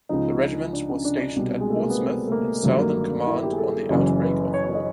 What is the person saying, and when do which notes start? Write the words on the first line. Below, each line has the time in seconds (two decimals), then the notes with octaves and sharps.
The regiment was stationed at Portsmouth in Southern Command on the outbreak of war.
0.09 C#2 C#3 F3 D#4
0.73 D4
0.89 C#4
1.05 D4
1.20 D4
1.36 C2 B2 G3
1.60 G#3
1.70 A3
1.80 A#3
1.90 B3
2.00 C4
2.28 A3
2.32 A#3
2.63 G1 G2 D#3 F#3 A3
2.79 A#3
3.27 E4
3.43 G4
3.53 G#4
3.58 A4
3.90 F#1 F#2 C#3 E3
4.22 B4
4.54 C#5
4.64 C#5
4.75 D#5